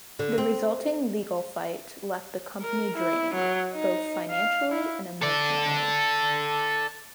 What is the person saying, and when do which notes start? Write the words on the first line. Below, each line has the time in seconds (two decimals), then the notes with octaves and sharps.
The resulting legal fight left the company drained, both financially and emotionally.
0.19 D3
0.38 C4
2.62 A#4
2.97 E4
3.34 F#3
3.73 D#4
4.31 F5
4.72 E4
5.22 A4 D5